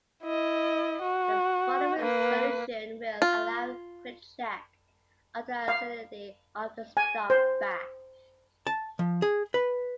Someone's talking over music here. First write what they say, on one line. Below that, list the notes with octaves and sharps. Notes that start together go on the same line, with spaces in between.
The following solution will allow quick check of the acidity of the stop bath.
E4 D#5
F#4
A#3 B4
F4
F5
G#5
C5
A5
F3
G#4
B4